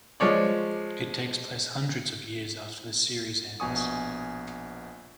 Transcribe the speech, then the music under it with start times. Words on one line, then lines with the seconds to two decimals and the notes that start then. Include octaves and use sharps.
It takes place hundreds of years after the series ends.
0.20 F3 G#3 C#5 D5
3.60 A#1 B2 G#5 C#6 D#6